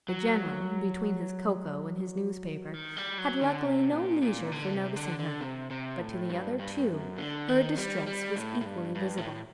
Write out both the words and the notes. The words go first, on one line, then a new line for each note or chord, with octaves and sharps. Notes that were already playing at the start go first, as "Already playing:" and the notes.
The general, between his cocoa and his newspaper, had luckily no leisure for noticing her; but to the other two her distress was equally visible.
F#3
D#3
G3
F#3
D3
C3
A#2
A#2
D3
C3
D3
D3
C3
C3
A2
G2
G2
F#2
D3
D#3
G3
G3
A2
A2
G2
G2
A2